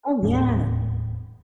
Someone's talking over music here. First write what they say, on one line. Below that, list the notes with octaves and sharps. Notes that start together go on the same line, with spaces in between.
Oh, yeah.
D#1 E2 A2 D4